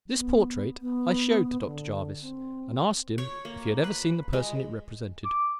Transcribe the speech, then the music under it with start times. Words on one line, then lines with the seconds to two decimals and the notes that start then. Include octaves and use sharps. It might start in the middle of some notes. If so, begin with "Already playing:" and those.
This portrait I showed to Dr. Jervis and asked him if he had ever seen the person it represented.
0.16 B3
0.81 B3
1.65 D3
2.22 C4
3.18 C#5
3.45 A#3
3.84 B4
4.33 G#3
5.25 D6